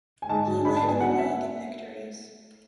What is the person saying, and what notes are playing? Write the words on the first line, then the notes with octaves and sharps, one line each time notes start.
He led the league in victories.
G#5
G#2 A5
F#3
G#2 B5
A5
B3
G#5
F#3 F#5
E5